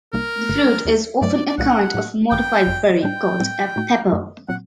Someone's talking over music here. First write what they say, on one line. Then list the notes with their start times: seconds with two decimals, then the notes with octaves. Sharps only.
The fruit is often a kind of modified berry called a pepo.
0.13 C2 C3 G3 A#3 D#4 A#4
0.49 G1 G2 D3 A3
0.85 D#2 D#3 A3 D#4 G4
1.21 G2 F#3 A3 D5
1.34 D5
1.46 D5
1.58 C2 A#2 G3 A#3 F#5
1.94 A2 F#3 A#3 D4 G4
2.30 A1 G2 D#3 G5
2.67 G1 F#2 F#3
3.03 A2 G3 D4 G5
3.40 A2 G3 C4
3.76 A2 A3 D#4 F#4
4.12 F#2 D#3 A3
4.48 A#2 F#3 C4 F#5